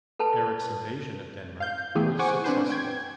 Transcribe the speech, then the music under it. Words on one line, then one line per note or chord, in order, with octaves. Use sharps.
Eric's invasion of Denmark was successful.
A4 B4 A5
F5 G6
E3 A3 B3 E4 G4 G#4
C5 F#5 G#5 C#6 D6
C4 D4 B4 C5
G5 G#6